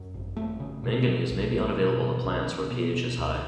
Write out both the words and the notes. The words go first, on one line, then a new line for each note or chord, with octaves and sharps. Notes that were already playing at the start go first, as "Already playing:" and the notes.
Manganese may be unavailable to plants where pH is high.
Already playing: F#2
G#1
G#1 A3
C#3
B2
B2
B1
B1
B2
B2
B1 C#4
C#4
B1
B2 B3
B2
C#2